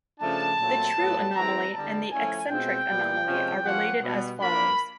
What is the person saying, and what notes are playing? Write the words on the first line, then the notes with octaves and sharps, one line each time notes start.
The true anomaly and the eccentric anomaly are related as follows.
C#3 F3 A3 D4 A5
A#2 F#3 A3 C4
A2 F#3 B3
E3 G#3 C4 E4 A#5
D3 G3 B3 A5
F3 A3 C#4 E4 G#5
B2 G#3 C4 F4 G5
A#2 G3 B3
C3 F3 G#3 C#4
F3 A#3 C#4 F#5
B2 G3 B3
F3 A#3 D4 B5